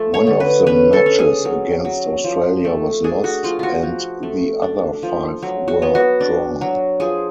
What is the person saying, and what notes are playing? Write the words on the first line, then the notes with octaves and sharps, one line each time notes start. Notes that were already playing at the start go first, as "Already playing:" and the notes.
One of the matches against Australia was lost, and the other five were drawn.
Already playing: F3 A3
C#5
D3
B4
C#4 B4
A4
C#4
G#4
F#3
F#3
F3
A3
D4 G#4
F#4
F3 F4
F4 F#4
F3
A3
D4
F3
F#3
F#4
B3
F#4
D4
F#3
F3 G#4